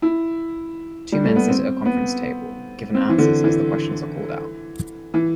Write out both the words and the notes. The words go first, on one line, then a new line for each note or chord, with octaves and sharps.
Two men sit at table at a conference given answers as the questions are called out.
E4
G3
A3
B3
C4
B3
C4
E3
D3
E3
E3